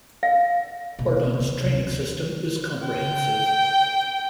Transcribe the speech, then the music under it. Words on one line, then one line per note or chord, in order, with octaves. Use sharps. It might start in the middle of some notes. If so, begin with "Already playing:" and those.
Bardon's training system is comprehensive.
F5
B2 A#3
C3
D2
G5